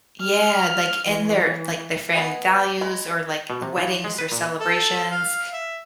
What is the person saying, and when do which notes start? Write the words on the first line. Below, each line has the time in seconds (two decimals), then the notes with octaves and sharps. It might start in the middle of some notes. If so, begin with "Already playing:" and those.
Yeah, like, in their like, their family values or, like, weddings or celebrations.
0.20 F6
1.08 E3
2.15 B3 B4 D#5 G#5
2.81 G#3 B5
3.50 B2
3.62 C3
3.78 E3
4.04 G#3
4.19 B4
4.32 A#2
4.60 A4
5.11 F5
5.53 E5